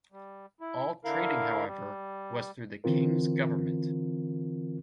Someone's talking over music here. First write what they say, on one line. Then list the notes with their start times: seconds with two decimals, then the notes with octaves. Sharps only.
All trading however, was through the King's government.
0.12 G3
0.60 E4
1.05 D3 E4 A#4 F5
1.66 G3
2.84 D3 E3 C4 F4 A#4